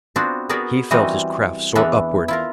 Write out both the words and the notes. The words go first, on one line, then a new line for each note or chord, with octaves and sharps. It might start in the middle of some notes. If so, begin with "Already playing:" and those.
He felt his craft soar upward.
B3 C4 D4 F4 F#4 C5
B3 F#4 G#4 A#4 B4 D5
E3 G3 C4 F#4 A#4 D#5
E2 E3 D4 E5 F#5
E4 F4 A#4